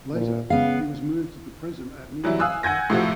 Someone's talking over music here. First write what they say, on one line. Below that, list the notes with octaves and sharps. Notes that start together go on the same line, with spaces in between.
Later he was moved to the prison at nearby Luckau.
A#2
C#3 B3 F5
E3 F#3 G3 E4
F5 G#5 D#6 E6 F#6
F#5 G#5 G6 G#6 A#6
A2 C3 F3 F#4